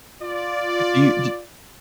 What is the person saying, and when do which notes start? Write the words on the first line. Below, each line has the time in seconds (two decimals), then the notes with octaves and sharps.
Do you do
0.22 F4 D5